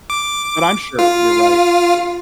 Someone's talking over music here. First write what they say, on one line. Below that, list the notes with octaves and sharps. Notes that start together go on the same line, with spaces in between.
but I'm sure you're right.
D6
F4